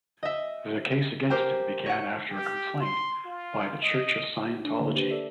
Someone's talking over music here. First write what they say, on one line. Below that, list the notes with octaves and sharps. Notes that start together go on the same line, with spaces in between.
The case against him began after a complaint by the Church of Scientology.
D#5 E5
G4 A#4 C5 G5
C#5 F#5
G4
C6
F4
D#5
D4
D3 A3 A#3 B4
D4 G4 B4 C5
A4 D5 E5